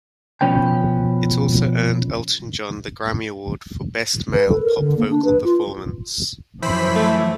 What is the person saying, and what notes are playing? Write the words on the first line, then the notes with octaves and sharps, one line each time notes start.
It also earned Elton John the Grammy Award for Best Male Pop Vocal Performance.
B2 F3 C#4 B4 G5
B4
A4
A#4
D3
A#3
D4
B4
F4
F#2 E3 F3 C5 B5 B6
A3